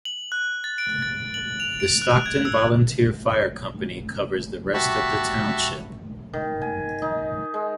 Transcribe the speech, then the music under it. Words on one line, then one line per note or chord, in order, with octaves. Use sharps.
The Stockton Volunteer Fire Company covers the rest of the township.
F#7
F#6
A6
D7
A6
F#7
F7
D7
F#6
G#6
E6
F#4 G4 E5 A5 B5 C#6
D#3
G#5
D#4
G#3